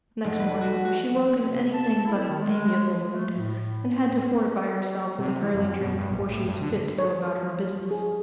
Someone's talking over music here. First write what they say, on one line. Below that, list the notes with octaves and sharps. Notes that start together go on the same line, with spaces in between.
Next morning she woke in anything but an amiable mood, and had to fortify herself with an early drink before she was fit to go about her business.
F1
B4
F#4
F#4
C3
A5
E4
D#3
G#3
A3
A2
C3
E3
F#2
B2
G2
A#1
A2
G2
D3
C#5
G#4